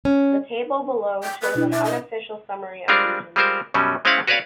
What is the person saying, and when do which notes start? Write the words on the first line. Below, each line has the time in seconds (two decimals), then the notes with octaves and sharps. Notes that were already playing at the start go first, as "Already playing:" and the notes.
The table below shows an unofficial summary of regions.
0.05 C#4
1.23 G5
1.42 B4
1.55 B2 D4 E4
1.72 D4 E5
1.84 D#5
2.88 G3 G#3 C4 D4 F4 A#4
3.36 G3 G#3 C4 F4 A#4 C5
3.74 F#2 B2 F#3 G3 C#4
4.05 G#3 C4 C#4 E4 F5 F#5
4.27 F#4 B4 C#5 D5 F5